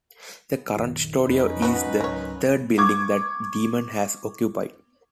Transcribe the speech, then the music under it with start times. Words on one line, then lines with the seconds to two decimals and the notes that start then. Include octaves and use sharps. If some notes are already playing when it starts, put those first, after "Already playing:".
The current studio is the third building that Demon has occupied.
0.78 A#1 F#2 D#3
1.27 F2 C#4 D#4 B4
1.62 F#3 B3 F#4
2.01 C#2 G#2 F#3 A#4 C#5
2.78 C#6 D6 G#6